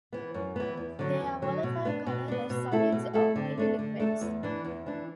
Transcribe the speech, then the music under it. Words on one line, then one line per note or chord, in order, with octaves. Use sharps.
They are volatile colorless solids or oily liquids.
E3 B3
F#2
E3 B3
E2
D3 F#3
E2
D3 F#3
B2
B3 D4
B2
B3 D4
B2
A3 E4 A4
B2
A3 E4 A4
D3
A3 D4 A4
D3
A3 D4 A4
E2
E3 D4
E2
E3 D4